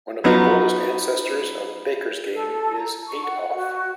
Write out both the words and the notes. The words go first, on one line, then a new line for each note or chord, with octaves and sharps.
One of the oldest ancestors of Baker's Game is Eight Off.
F#3 B3 D#4 F4 F#4
A4
A#5
C#6
F#5
F#4